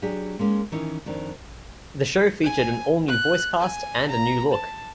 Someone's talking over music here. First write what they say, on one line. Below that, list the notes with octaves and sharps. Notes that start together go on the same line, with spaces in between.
The show featured an all-new voice cast and a new look.
F#3 D4 G4 G#4
G#3 A#3 C#4
D#3 E3 C#4 D#4 E4 C#5
F2 D#3 D4
G#5
F#6
G#5
A#5
A5